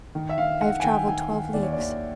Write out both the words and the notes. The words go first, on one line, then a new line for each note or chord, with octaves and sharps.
I have travelled twelve leagues.
D#3
E5
D#3 F5
D#3 F#5
G#5
D#3 G5
D#3 G#5
D#3
D#2 D5
C#5
D#2 D5